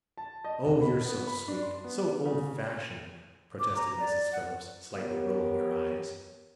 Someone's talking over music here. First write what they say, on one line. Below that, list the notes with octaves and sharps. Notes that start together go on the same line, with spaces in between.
"Oh, you're so sweet, so old-fashioned!" protested Mrs. Phillips, slightly rolling her eyes.
A5
D#5
D#1
B5
B3
B5
D4
C6
B3
C#3
D6
A#5
D5
F#5
B3 G4 A#4 C#5